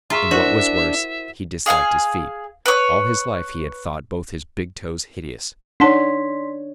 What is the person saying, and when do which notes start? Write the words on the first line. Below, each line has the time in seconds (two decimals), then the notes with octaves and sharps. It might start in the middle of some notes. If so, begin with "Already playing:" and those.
And what was worse, he disliked his feet. All his life he had thought both his big toes hideous.
0.10 F4 G#4 E5 A#5 C#6
0.31 D4 E4 F#4 A#4 C5
1.66 G#4 F5 F#5 G#5
2.66 B4 C#5
5.80 D4 D#4 C#5 F#5 A5 C6 B6